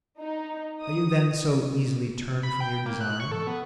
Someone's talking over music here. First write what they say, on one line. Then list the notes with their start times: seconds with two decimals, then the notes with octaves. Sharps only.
Are you, then, so easily turned from your design?
0.20 D#4
0.82 D#6
2.43 B5
2.60 G5
2.86 A#3
3.01 F#6
3.20 C#6
3.32 A4
3.47 B3